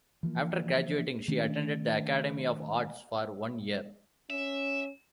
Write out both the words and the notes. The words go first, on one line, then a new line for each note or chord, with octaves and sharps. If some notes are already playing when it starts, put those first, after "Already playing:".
After graduating she attended the Academy of Arts for one year.
E3 F3 G#3 A#3
D#3 A3 C#4 D4
C#4 E5